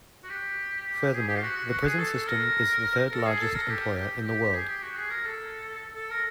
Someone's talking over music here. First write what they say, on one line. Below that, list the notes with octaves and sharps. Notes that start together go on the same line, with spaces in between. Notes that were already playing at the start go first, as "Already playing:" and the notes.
Furthermore, the prison system is the third largest employer in the world.
F#4
G4
G4
G#4
G4
F4
F#4
F#4
F#4
G#4
A4
A#4
A4
G#4
A4
A#4
G4
G4
G4
G#4
G4
F#4
G#4
A#4
A4
A4
A#4